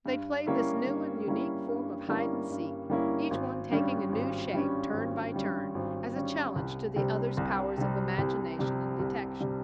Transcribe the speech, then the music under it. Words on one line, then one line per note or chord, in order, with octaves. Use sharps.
They played this new and unique form of hide-and-seek, each one taking a new shape, turn by turn, as a challenge to the other's powers of imagination and detection.
G2
G3 A#3 C#4 E4
G2
G3 A#3 C#4 E4
G2
G3 A#3 C#4 E4
G2
G3 A#3 C#4 E4
G#1
G2 G3 C#4
G#1
G2 G3 C#4
G#1
G2 G3 C#4
G#1
G2 G3 C#4
C2
C3 G3
C2
C3 G3
C2
C3 G3
C2
C3 G3